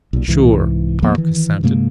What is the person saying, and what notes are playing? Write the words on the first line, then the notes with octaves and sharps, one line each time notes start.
"Sure," Park assented.
B1 A#2
C2 G#2 E3
D2 F3 A#3 B3
D#3 E3
G2 C3 G#3 A#3